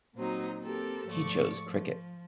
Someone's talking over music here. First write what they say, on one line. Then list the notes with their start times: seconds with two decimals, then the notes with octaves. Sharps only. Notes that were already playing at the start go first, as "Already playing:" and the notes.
He chose cricket.
0.15 A#2 F#3 C4 D#4
0.62 A#3 C4 G4 A4 A#4
1.08 G#2 F3 A3 D5 C#6
1.68 F3